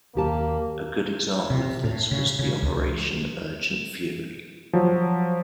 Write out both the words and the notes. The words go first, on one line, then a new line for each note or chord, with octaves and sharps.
A good example of this was the Operation Urgent Fury.
D#2 A#3 G4 A5
C3
A2
C#3
C#3
C#2
F3 F#3